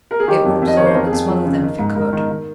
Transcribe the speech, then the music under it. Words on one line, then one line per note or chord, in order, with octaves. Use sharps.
It would absorb and smother them if it could.
A#4
G#4
D#3 G4
F2
F2
D#5
D#3 C#5
C5
F2 A#4
G#4
F2
F3
C#3
D#3
G#2
G#2 A#4
D#3
D#3